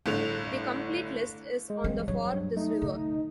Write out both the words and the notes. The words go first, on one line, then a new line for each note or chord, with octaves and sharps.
The complete list is on the for this river.
G1 A2 D3 F7
G#3
G2 F3 C4
F#3 C#5
A3 D#4
D3